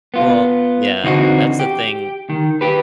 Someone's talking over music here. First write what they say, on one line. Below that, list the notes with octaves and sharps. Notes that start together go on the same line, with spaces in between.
Well yeah, that's the thing.
B3 F4
D3 E3 C4 D#4 F#4
G4
D#3
G4 B4